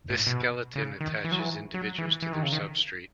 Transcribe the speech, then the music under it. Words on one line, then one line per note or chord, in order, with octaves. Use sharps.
This skeleton attaches individuals to their substrate.
A2
B2
C#3
D#3
E3
F#3
E3
F#3
E3
E3
D#3
C#3
D#3